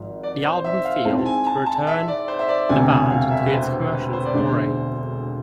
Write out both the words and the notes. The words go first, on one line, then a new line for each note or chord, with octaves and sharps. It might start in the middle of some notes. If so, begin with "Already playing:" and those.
The album failed to return the band to its commercial glory.
Already playing: G#1 G#2 F3
D5
C5
E5
F5
G#2 G#3 C4 E4 A5
G#5
A5
A5
E5
D5
C5
E5
D5
E1 D2 C3 G#5
G#5
F5
E5
B4
C5
B4
C5
D5
E1 D2 D3 G#3 C5